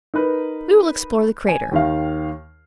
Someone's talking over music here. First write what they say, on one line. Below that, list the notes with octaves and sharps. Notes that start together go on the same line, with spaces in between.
We will explore the crater.
D#4 A#4 B4
G#5
D#2 D#3 F5